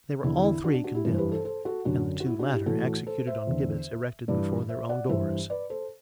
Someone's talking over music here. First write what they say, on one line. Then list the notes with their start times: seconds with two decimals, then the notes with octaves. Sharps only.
They were all three condemned, and the two latter executed on gibbets erected before their own doors.
0.24 E2 D3 E4
0.43 E4
0.64 D4 F#4
0.74 D4
0.84 D4 F#4
0.94 E4 G4
1.05 G2 E3
1.14 C5
1.18 G4 B4
1.32 A4 C5
1.45 A4 C5
1.65 F#4 A4
1.85 F#2 D3 D4 F#4
2.20 F#4
2.26 E4
2.39 D4 F#4
2.53 E4 G4
2.66 A2 E3 F#4 A4
3.07 A4 C5
3.27 C5 E5
3.47 E2 D3
4.28 G2 E3 B4 D5
4.69 C5 E5
4.89 D5 F#5
5.09 G2 E3 C5 E5
5.50 B4 D5
5.70 A4 C5